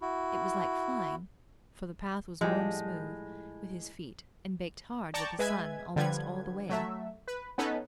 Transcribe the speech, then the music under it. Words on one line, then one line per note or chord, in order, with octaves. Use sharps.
It was like flying, for the path was worn smooth with his feet and baked hard with the sun almost all the way.
E4 F#4
A2 F3 G3 G#3 G4
D5 G5 A5 A#5 C#6 D6
G#3 B4 E5 G#5 G#6
D3 F3 G3 B4 G#6
F#3 A3 E5
B4
B3 C#4 D#4 A4 B4